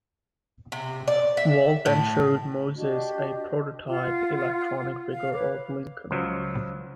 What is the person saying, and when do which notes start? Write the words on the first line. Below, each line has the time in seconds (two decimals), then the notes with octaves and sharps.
Walt then showed Moses a prototype electronic figure of Lincoln.
0.72 C3
1.08 D5
1.37 E5
1.86 A2
2.75 D4 F#4 G4 D#5
3.87 F4 F#5
5.11 F5
5.33 B4 C#5 D6
6.11 C#2 F3 F#3